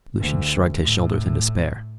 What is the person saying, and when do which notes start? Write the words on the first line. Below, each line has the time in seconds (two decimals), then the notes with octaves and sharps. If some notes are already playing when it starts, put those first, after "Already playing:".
Lucian shrugged his shoulders in despair.
0.20 D2
0.84 A2